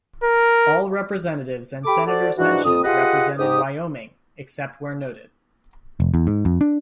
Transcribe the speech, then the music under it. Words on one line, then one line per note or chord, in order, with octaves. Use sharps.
All representatives and senators mentioned represented Wyoming except where noted.
A#4
G4 A4 B5 D6
F#4 A4 C5 D5
G#2 E3 D4 F#4
F2 D#6
F4 G4 G#4 B4 D#5 F#5
G#2 G4 D#6
F1
E2
G#2
F2
D4